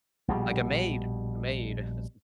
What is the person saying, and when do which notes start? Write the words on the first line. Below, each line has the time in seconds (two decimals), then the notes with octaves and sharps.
Like a maid a maid, uh, that's, um
0.28 A#1 B2 G3